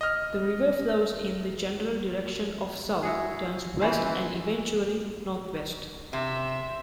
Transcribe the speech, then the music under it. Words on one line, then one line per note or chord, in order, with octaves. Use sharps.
The river flows in the general direction south, turns west, and eventually northwest.
D#5 F6
E4 F#4 G#4
E3 C#4 C5
C3 E5